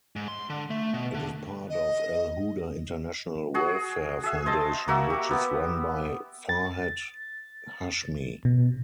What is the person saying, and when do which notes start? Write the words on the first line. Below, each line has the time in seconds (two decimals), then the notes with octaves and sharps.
It is part of Al-Huda International Welfare Foundation which is run by Farhat Hashmi.
0.16 G#2
0.28 C6
0.50 D3
0.70 A3
0.93 B2
1.14 D3
1.70 D#5
3.54 F#4 G#4
4.23 G#4 E5
4.46 C5 D#5 A5
4.88 A#3 F#4 E5
5.10 G4
5.31 B3
6.49 A6
8.45 B2